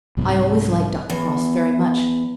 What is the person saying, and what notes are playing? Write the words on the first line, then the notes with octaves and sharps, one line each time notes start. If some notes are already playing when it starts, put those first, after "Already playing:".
I always liked Dr. Crofts very much.
C2 G#2 G3 C4
E2